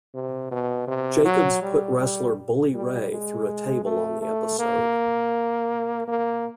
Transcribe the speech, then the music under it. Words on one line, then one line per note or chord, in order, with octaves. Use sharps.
Jacobs put wrestler Bully Ray through a table on the episode.
C3
B2
C3
F#3
G3
G3
G3
G#3
A3
A3
A#3
A#3